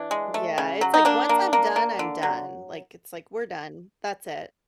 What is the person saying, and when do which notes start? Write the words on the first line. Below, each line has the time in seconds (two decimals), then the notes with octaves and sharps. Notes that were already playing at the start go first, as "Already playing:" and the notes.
Yeah, it's like once I'm done, I'm done, like, it's like, "We're done, that's it.
Already playing: E3 D4
0.11 G#3
0.34 A3
0.58 C#3
0.81 F#3
0.94 D#4
1.05 A#3 D4
1.29 A#3
1.53 A#3
1.76 A#3
1.99 D3
2.23 F#3